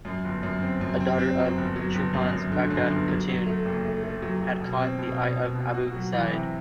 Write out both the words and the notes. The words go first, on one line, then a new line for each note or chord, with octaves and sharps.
A daughter of Chupan's, Baghdad Katun, had caught the eye of Abu Sa'id.
F#2
G1
F#2
C4
F#2
C4
C4
F#3
G1
F#3
G1
F#2
F#2
D3
F#2
G1
F#3
F#3
A3
F#1
A3
A3
F#3
F#3
B2
C4
B2
B2
B2
B2
F#4
F#3
E3
C3